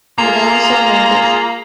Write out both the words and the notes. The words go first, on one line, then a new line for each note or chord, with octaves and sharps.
But I also know this.
A#3 F4 G#4 A#5 C6